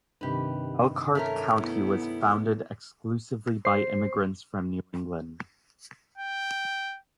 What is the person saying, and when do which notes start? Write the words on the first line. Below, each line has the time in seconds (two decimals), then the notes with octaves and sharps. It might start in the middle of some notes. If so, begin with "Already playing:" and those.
Elkhart County was founded exclusively by immigrants from New England.
0.21 G2 C3 D#3 G4 B4
1.15 A3 C#4 A#4
1.56 B3 E4
3.65 C5 C7
6.18 G5